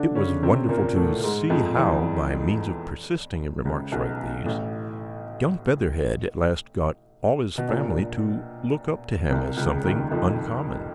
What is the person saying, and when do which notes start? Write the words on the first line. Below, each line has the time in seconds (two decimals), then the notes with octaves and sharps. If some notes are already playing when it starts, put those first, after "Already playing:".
It was wonderful to see how, by means of persisting in remarks like these, young Featherhead at last got all his family to look up to him as something uncommon.
Already playing: D3 D4
0.15 C#3 C#4
0.42 C3 C4
0.69 A#2 A#3
0.96 A2 A3
1.24 G#2 G#3
1.49 F2 F3
1.76 E2 E3
3.65 C#2 C#3
3.92 B1 B2
4.45 A1 A2
7.58 B2
7.68 A#1 A#2
9.30 C2 C3
9.57 C#2 C#3
9.84 D#2 D#3
10.11 F2 F3